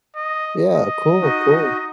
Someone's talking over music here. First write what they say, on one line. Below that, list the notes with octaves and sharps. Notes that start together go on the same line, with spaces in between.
Yeah, cool, cool.
D#5
D#5
D#4 F#4